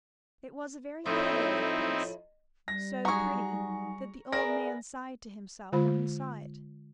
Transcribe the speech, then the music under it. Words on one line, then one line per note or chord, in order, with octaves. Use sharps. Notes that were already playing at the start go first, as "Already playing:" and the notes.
It was a very pretty little face, so pretty that the old man sighed to himself when he saw it.
F2 A2 C4 D#4 E4
G3 A#6
F#3 D#4 F#4 G#4 G#5 A#5 C#6
B3 G#4 A#4 D5 E5 G#5 A#6
D3 G#3 F4 C5 B5